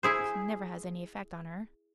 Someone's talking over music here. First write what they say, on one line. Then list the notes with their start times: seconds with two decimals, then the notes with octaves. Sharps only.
"Coaxing never has any effect on her."
0.03 E4 G#4 C5